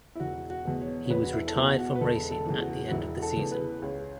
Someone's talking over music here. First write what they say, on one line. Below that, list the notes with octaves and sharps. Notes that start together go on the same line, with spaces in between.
He was retired from racing at the end of the season.
E4
E1 F#4
F#4
E2 B2
C#5
C#5
E1 B4
F#4
E4
A4
E2 B2 F#4
F#4
B4
E1 A4
A4
E2 C#3 E3
F#4
F#4
E1 E4
F#4
A4
E2 C#3 E3
B4
C#2 C#5